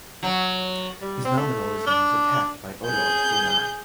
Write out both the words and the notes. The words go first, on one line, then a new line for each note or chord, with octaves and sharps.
His nominalism was attacked by Odo of Tournai.
F#3
G3
C4
A3
D4
G#4 G6